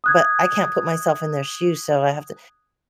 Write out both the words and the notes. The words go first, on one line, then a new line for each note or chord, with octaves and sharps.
But I can't put myself in their shoes, so I have to
D#6 F#6 G#6